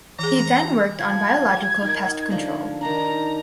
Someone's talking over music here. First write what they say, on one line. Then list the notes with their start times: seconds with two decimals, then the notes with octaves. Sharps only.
He then worked on biological pest control.
0.19 E3 G#4 A#5
0.99 F3 G#6
1.82 D#4 A#4
2.31 D3 F3 A#5
2.81 D#3 D4 A#5